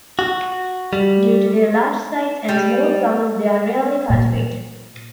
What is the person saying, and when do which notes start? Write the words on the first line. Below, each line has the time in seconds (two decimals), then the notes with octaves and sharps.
Due to their large size and small flowers, they are rarely cultivated.
0.19 F#4
0.93 G3
2.49 G3
4.10 A#2